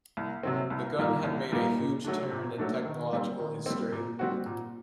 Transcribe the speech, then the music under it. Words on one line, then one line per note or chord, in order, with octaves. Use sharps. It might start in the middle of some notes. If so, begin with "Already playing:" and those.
The gun had made a huge turn in technological history.
C2
C3 F#3 C4
C2
A#2 G3 A#3 D#4
C2
A#2 G3 A#3 D#4
A#2
F#3 A3 D4
A#2
F#3 A3 D4
D#3
G3 C4
D#3
G3 C4
A#2
G3 C4 F#4
A#2